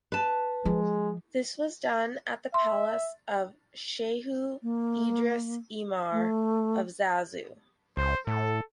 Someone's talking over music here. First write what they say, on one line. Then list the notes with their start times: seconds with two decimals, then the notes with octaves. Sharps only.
This was done at the palace of Shehu Idris Emir of Zazzau.
0.12 B4 A5
0.65 F3 G#3
2.54 E5 C6
4.63 A#3
6.12 A3
7.97 C#2 C5
8.27 A2 A4